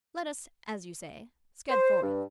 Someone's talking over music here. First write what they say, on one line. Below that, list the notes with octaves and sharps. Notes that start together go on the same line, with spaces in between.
Let us, as you say, scud forth.
C5
G2